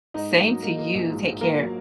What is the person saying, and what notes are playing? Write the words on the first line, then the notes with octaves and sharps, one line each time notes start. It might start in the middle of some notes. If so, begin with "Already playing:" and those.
Same to you. Take care.
G#2 D#4 D#5
A#3
F#3
A#3
A#3
A#1
G#2
G#2
A#3 A#4
F#3